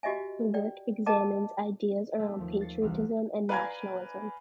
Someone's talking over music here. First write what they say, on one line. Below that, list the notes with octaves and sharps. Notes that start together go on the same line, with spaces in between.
The work examines ideas around patriotism and nationalism.
F#4 G4 D#5 E5 G#5
D5 G5
A#4 D#5 G5 A5 D6
A3
D#2 F3
A6 C7 C#7
C2 E3 F6 F#6
B4 D5 F5 G#5 A#5 G#6